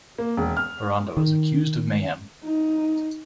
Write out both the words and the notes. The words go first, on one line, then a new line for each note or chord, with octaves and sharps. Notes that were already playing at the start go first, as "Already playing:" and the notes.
Boronda was accused of mayhem.
A#3
E1
F6
D#3
D#4